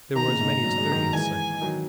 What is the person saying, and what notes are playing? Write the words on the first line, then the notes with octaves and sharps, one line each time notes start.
There were as many as thirty in sight.
B2 D#3 A#5
A#2 C#3
G#2 B2
F#3
G#3
D#3 F#3
E3 G#3 G#5
D#3 F#3